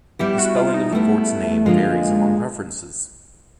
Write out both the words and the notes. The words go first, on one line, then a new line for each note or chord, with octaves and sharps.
The spelling of the fort's name varies among references.
G3 B3 E4 G4
F#4
F4
D#4
G3 A3 B3 E4
D3 F3 G#3 A#3 D4 F4